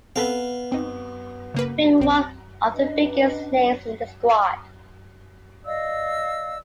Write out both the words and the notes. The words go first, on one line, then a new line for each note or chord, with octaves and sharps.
Being one of the biggest names in the squad.
B3 C4 A4 B4 F5
C4 D#4
C#3 A#3 B4
B1 C4 D6
C#4 D4 B4 D#5
D5 D#5 F5 E6